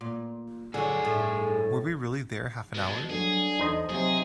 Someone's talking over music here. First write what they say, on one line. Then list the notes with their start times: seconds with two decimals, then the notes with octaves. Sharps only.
Were we really there half an hour?
0.01 A#2
0.74 G2 D3 F#3 G#4
1.05 A2 E5
2.75 B2 F3 G#3
3.10 F#3 G3 A3 D4 G#4
3.60 E2 D#4 A4 C5 D#5
3.90 C3 F#3 C4 G#4 C#5